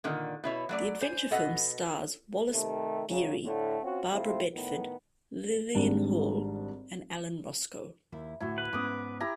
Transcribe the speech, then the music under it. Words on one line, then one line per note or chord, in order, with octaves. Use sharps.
The adventure film stars Wallace Beery, Barbara Bedford, Lillian Hall and Alan Roscoe.
A#2 D3 D#3
B2 E4 C#5
F#3 A3 D5
C5 G#5
B2 A4 D#5 F#5
C3 D#3 A3
G#1 F#2 C#3
A2 D3 A3
C4 C#4 F4 F#4
C3 A3 C4 E4 F4 C5
A2 D#3 B3
G#1 G#2 G3 D4
D#2 E4 E5
D2 A2 E4 F#4
B4
G#2 B3 C#4 D6 D#6
E4 G4 A#5